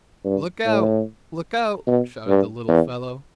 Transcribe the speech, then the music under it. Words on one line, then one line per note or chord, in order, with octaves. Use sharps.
"Look out! look out!" shouted the little fellow.
G2
A2
B2
G2
E2